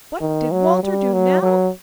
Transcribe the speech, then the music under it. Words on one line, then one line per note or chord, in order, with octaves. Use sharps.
What did Walter do now?
D#3
F#3
G3
F#3
F#3